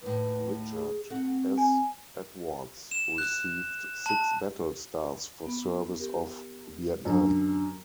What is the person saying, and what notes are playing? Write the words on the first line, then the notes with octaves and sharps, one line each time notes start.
Richard S. Edwards received six battle stars for service off Vietnam.
D#2 A2 B4
G#4
A3 C4 F#4
G#5
E7
F#6
A5
B3
G4 A#4
F#2 D3